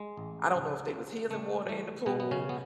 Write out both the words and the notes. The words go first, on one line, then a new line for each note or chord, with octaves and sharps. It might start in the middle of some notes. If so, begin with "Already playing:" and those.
I don't know if there was healing water in the pool,
Already playing: G#3
A1
C#2
C#3
C#3 A3
E3 A3
B2 B3
B3
C#3 C#4
B3